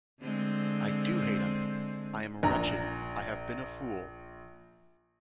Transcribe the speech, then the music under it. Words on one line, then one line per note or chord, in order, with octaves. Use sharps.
I do hate him — I am wretched — I have been a fool!
D3 G#3 C4
A#1 A#5